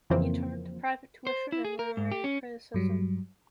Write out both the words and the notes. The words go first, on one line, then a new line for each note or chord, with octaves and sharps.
He turned to private tuition and literary criticism.
F2 C#3 E3 F3 A#3 C4
C5
E4
G#4
A#4
G#2
G4
C#4
G2 F#3 G3